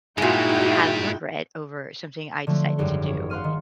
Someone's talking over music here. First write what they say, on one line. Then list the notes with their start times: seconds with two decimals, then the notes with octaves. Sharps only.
have regret over something I decided to do,
0.18 G2 A#2 G3 G#3 D#4 E4 F#4 G5
2.47 D3 F3 F#3 A3
2.79 G#1 F#2 G3 A3 D4 G4
3.06 C#5
3.30 F5 F#5 C6 F6 D#7
3.44 D#3